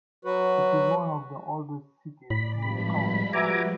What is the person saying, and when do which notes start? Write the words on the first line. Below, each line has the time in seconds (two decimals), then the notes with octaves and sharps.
It is one of the oldest cities in the Commonwealth.
0.25 F#3 F#4 B4
2.30 A2 D5 B5
2.62 G#1 G2 F3 G3 G#3 B5
3.33 F#4 B4 E5 G#5 A#5 D6